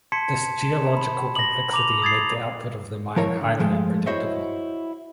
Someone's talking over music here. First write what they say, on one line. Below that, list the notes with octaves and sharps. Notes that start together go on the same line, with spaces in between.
This geological complexity made the output of the mine highly unpredictable.
A5 C6 G#6 B6 C#7
E7
B5
A#6 F#7
A#5 D6 F7
D#6 G#6 A6 C7
F3 E4 A#4 C#5
D3
F3 G#3 A3
E4 F#4 C5 C#5 D#5 E5